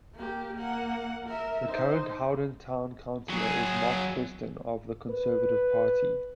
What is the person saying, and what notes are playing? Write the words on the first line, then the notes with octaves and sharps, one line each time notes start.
The current Howden town councillor is Mark Preston, of the Conservative Party.
A#3 G4
A#3 F#5
A#4 E5
D#4 C5
F#3 G#4
B4